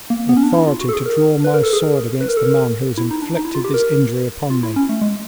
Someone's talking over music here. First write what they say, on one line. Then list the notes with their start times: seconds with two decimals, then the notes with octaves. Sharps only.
"Authority to draw my sword against the man who has inflicted this injury upon me."
0.10 A#3
0.29 B3
0.37 C#4
0.43 D4
0.55 E4
0.68 F4
0.81 F#4
0.89 A4
0.93 G#4
1.06 A#4
1.44 B4
1.54 A#4
1.63 A4
1.73 G#4
1.82 A#4
2.21 B4
2.28 A#4
2.37 A4
2.45 A#4
2.98 E4
3.11 D#4
3.22 D4
3.36 D#4
3.45 E4
3.55 F4
3.64 G4
3.74 A#4
4.50 F4
4.63 E4
4.76 C#4
4.89 A3
5.01 G#3